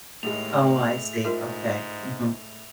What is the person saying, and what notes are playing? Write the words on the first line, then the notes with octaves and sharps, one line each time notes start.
Oh, I see. Okay. Mhm.
D#2 A2 G#3 F7
G#2 F4 A#4 E5